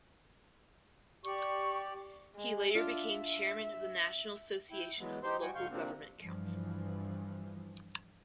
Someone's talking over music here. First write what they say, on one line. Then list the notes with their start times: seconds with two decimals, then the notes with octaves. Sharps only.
He later became chairman of the National Association of the Local Government Council.
1.25 G4 D5 C#6
2.35 G#3
2.75 D4 F4 E5
4.71 E4 G5
4.99 E3 F#3 G#3 B3
5.23 D#4 G4 C5 C6
5.41 G3 F#4 G5 G#5 C#6
5.55 G#2 D3 F5 C#6 G6
5.70 C3 F3 A#3 C4 D4
6.20 G2 E3 F3